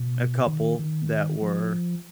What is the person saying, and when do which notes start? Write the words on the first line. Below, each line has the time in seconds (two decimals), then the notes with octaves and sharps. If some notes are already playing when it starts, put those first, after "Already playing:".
a couple that were
Already playing: B2
0.47 D#3
0.79 D#3
1.42 F3